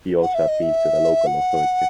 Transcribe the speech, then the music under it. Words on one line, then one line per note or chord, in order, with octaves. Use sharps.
He also appealed to the local authority.
F#5
E5
D#5
E5
F#5